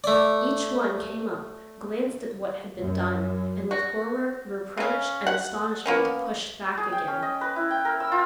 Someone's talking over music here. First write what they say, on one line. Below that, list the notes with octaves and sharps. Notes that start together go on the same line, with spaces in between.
Each one came up, glanced at what had been done, and with horror, reproach, and astonishment pushed back again.
A3 D5
F#2
F#4
C#3 C#4
F#5
A#3 B3 C#4
G#4
G5
C#4
D#5
B4
E4
G5
A#4
E6
F4